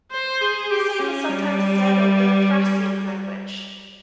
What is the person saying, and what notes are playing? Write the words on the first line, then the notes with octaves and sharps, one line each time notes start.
The same is sometimes said of the Thracian language.
C5
G#4
G4
C#4
G3